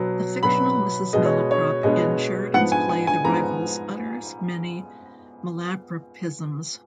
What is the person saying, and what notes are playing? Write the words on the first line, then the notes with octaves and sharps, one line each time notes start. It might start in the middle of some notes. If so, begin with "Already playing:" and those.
The fictional Mrs. Malaprop in Sheridan's play "The Rivals" utters many malapropisms.
Already playing: B2 F#3 B3
B2 F#3 B3 B5
B2 G#3 B3 D#5
C#5
C#5
B2 G#3 B3 D#5
G#2 F3 B3 F#5
G#5
G#5
G#5
G#2 F3 B3 A#5